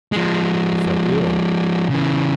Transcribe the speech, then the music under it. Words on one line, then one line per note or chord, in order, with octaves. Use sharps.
He felt ill.
F3 G#3
C#3 E3